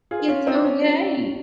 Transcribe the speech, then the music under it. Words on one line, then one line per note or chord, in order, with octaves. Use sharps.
it's okay,
F4 G#4
C#4 F4
C4 D#4
C#4